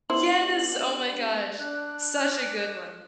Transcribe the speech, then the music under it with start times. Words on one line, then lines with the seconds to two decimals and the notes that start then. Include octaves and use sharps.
Yes, oh, my gosh, such a good one.
0.10 B3 D4 E4 G4 C5 F#7
1.59 D4 F#6